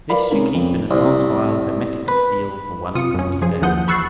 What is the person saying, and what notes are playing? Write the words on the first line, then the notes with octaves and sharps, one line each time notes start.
This you keep in a glass vial hermetically sealed for one-and-twenty days.
A#4 B4 D5 F5 B5
C3 G#3 C#4 D#4 A#4
F2
C2
B4
C3 F4 D#6 C#7
F#2 C#4
F3 G#4
D#2 E3 F3 F#5 D#6 G6
B5 C#6 E6 F#6 A6 C7